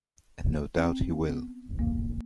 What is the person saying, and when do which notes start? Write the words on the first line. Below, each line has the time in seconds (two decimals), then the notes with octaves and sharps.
And no doubt he will.
0.76 C4
1.27 B3
1.79 A#3